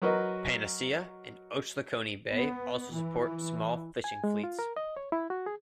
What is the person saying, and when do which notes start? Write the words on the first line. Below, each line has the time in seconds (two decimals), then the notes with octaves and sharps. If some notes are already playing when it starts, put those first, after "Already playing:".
Panacea and Ochlockonee Bay also support small fishing fleets.
0.02 F#3 F#4 A#4 B4 D#5
2.31 B3
2.93 E3
4.04 G#5
4.24 G#3
4.44 F4
4.59 A#4
4.76 D#5
4.97 C#5
5.12 E4
5.30 F#4
5.46 G#4